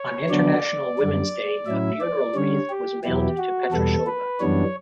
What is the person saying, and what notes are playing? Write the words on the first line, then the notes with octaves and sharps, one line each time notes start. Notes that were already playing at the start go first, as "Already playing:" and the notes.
On International Women's Day, a funeral wreath was mailed to Petrushova.
Already playing: C#5
D3 F#3 B3 D4 D5
F#2 D3 G3
A2 F#3 C#4 E4 E5
D5
D3 G3 C#4 C#5
G4
E2 B2 F#3 B3 E4 G4
F#4
E2 B2 G3 B3 A4
B4
F#2 E3 G3 B3 D4 C#5